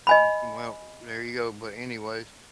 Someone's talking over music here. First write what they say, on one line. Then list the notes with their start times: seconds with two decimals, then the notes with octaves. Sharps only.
Mm, mm, well, there you go, but anyways,
0.07 D#5 G#5 B5